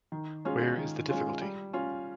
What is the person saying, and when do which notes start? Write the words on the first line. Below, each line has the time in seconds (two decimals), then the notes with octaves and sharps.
Where is the difficulty?
0.12 D#3
0.45 G#3 C#4 F4
0.77 D#3
1.09 G#3 C#4 F4
1.41 G3
1.73 C#4 F4